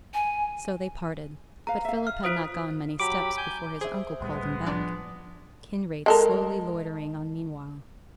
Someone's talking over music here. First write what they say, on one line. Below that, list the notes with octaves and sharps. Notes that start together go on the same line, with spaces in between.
So they parted; but Philip had not gone many steps before his uncle called him back, Kinraid slowly loitering on meanwhile.
G#5
B4 F5 A#5
E5 F5
F6
F4 C5 D#6
F#3 G4 B5 D6
G#5 G6
G#4 C5 E5
C2 A2 G3 G#3 B3
F3 D4
G#3 A4 A#4